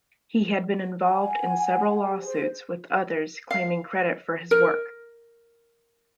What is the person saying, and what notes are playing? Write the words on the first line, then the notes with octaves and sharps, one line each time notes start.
He had been involved in several lawsuits with others claiming credit for his work.
F#5 G#5
G4
G#4 C5
F5
A#4